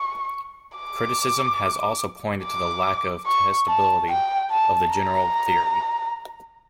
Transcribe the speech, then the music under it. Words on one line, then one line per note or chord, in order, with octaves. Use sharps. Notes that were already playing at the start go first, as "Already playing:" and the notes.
Criticism has also pointed to the lack of testability of the general theory.
Already playing: C#6
D6
D6
C#6
A5
G5
A5
A#5